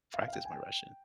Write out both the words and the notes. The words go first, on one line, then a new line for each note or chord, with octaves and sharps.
practice my Russian.
F5
F5
G5
G#5
G5